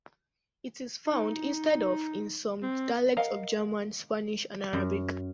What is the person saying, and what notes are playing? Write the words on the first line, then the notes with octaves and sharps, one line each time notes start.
It is found instead of in some dialects of German, Spanish and Arabic.
D#4
C4
A#4 D#5 F5 F#5 A#5
F#2